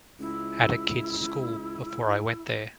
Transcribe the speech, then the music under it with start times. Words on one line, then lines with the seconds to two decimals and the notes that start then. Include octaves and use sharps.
At a kid's school before I went there.
0.20 C#2 E4